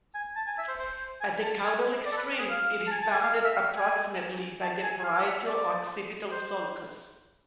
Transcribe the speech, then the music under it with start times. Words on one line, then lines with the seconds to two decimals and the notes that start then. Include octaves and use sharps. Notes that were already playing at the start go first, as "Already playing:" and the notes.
At the caudal extreme it is bounded approximately by the parieto-occipital sulcus.
0.15 G#5
0.36 A5
0.47 G#5
0.58 E5
0.68 C5
0.80 C5
1.21 G#5
1.43 A5
1.63 G#5
2.06 D5
2.12 A4
2.17 B4
2.39 G#4
2.49 F5
2.87 A5
2.92 G#5
3.02 A5
3.13 G#5
3.23 F5
3.34 F5
3.45 E5
3.55 F5
3.77 G#5
4.62 A5
4.83 G#5
4.99 G#5
5.04 F5
5.26 E5
5.46 D5
6.31 C5